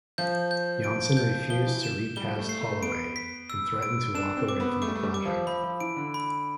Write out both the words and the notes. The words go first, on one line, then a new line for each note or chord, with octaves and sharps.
Janssen refused to recast Holloway and threatened to walk away from the project.
F3 G6
G6
D7
G6
F3 G7
E3
E7
G3 G7
F3
G3
A3
C7
A3
B3 D7
B6
E6
D7
D4 E7
C4
D6
B3
A3 D6
G3
A3
G3
D6
F3
F3 B5
F3
E3 D7
D3
B5